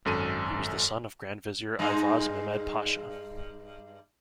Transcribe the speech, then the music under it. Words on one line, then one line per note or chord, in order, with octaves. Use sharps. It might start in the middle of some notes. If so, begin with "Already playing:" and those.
He was the son of Grand Vizier Ivaz Mehmed Pasha.
G#1 F#2 A4 D#7
G2 G#3 D#4